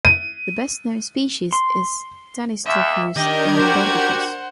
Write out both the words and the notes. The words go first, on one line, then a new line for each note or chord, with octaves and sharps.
The best-known species is "Tanystropheus longobardicus".
D#7
C6
D#2 E5
D#3 D4 G4 A#4 D#5 G#6
F#4 C5 F#5